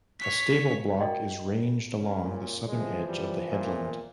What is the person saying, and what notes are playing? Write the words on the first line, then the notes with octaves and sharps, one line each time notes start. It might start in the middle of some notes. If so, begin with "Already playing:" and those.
A stable block is ranged along the southern edge of the headland.
C#5 B6
F#4 A#4 D5 D#5 G5
C#4
A#2
E3 F3 G#3
G3
A#2